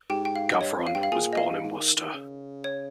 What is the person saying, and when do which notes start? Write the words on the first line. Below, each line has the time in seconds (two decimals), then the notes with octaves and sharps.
Gavron was born in Worcester.
0.10 G#2 G4 G5
0.25 G5
0.36 F5
0.52 D#5
0.61 G2 C#5
0.78 F2
0.87 F5
0.95 G2 G5
1.03 F5
1.12 A#2 G#4 G#5
1.33 D#5
1.37 F5
1.50 G2
1.63 G#2
1.79 D#3
1.97 D#3
2.14 C#3
2.64 C#5